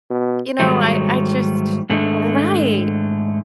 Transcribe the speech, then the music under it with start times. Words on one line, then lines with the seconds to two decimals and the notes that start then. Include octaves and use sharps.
You know, I I just Right.
0.10 B2
0.59 G#2 D#3 F#3 G3 A3
1.90 G#2 D3 D#3 A3